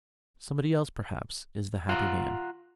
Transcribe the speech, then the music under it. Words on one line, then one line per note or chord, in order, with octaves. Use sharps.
"Somebody else, perhaps, is the happy man?"
F4 F5 F#5 A#5